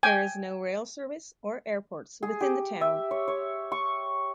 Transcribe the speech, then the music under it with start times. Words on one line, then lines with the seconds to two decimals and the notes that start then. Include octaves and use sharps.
There is no rail service or airports within the town.
0.03 G5 G#5
2.23 G#4
2.41 G4
2.81 E5
3.11 C#5
3.28 C#5
3.72 C#6